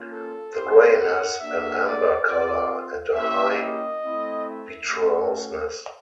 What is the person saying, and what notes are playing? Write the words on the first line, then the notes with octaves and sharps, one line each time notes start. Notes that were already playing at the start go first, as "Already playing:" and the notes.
The grain has an amber colour and a high vitreousness.
Already playing: A#3 C#4 F4
A4
C4 E4 G4 C5
F#5
A#3 D4 F#4 E5
D5
C4 F4 D5
A#3 C#4 E4 G4 E5
D#5
A3 C4 E4
E5
A3 C#4 F#4